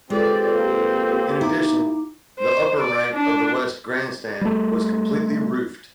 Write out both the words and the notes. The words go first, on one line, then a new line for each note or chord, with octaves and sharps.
In addition, the upper rank of the west grandstand was completely roofed.
G#3 C4 F4 G4 A4 B4 D5
A#3 G4
D#4 E4 A#5 D6
C5
D5
D4
G3 A3